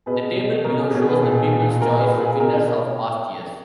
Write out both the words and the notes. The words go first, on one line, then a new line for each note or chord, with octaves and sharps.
The table below shows the People's Choice winners of past years.
B2 G#4 B4
B2
B2 A#4
G#4
B2 G#4
G#4 B4
A#2
A#2
A#2 A#4
G#4 B4
A#2
G#4
B2 A#4